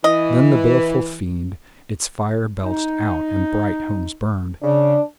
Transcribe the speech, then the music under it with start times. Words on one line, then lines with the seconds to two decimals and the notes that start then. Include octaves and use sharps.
THEN the baleful fiend its fire belched out, and bright homes burned.
0.04 E3 D#5
2.64 D#4
4.63 C#3 D4